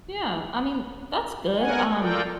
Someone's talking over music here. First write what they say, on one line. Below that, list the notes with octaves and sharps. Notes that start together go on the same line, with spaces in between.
Yeah, I mean, that's good. Um,
B3 A#4 F#5 G#5
F4 A4 A#4 D5 G5